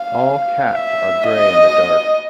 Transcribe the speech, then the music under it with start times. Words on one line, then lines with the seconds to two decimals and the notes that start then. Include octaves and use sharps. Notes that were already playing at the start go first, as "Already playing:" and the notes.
All cats are grey in the dark.
Already playing: F5
0.75 E5
1.23 D#5